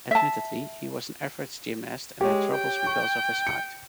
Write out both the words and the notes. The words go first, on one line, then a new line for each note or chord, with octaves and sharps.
Admittedly, he was an average gymnast and had troubles because of his height.
E5 A5
G#3 G4 C#5
G5
C#6
C#7